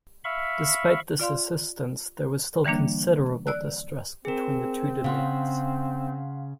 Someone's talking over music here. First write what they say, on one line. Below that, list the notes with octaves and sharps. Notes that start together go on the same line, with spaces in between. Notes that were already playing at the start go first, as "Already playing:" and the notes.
Despite this assistance, there was still considerable distrust between the two domains.
E5 F5 B5 C#6
F4 D5 F5 C6
D3 E3 G3 A#3 D4
D5 E6 F#6
C4 G#4 A#4
C#3 F5 F#5 C6